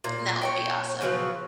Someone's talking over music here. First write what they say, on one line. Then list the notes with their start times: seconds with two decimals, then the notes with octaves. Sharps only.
That would be awesome.
0.04 A#2
0.41 C#5 D5 G5
1.01 C#3 F3 F#3 B4